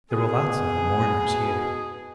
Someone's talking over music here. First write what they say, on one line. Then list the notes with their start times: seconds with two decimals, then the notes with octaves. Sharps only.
There were lots of the mourners here.
0.12 B2 G#4